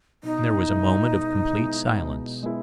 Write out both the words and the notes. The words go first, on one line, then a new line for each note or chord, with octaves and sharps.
Then there was a moment of complete silence.
B2 D#4
G#3 B3 E4
B2
G#3 B3 E4
B2
G#3 B3 E4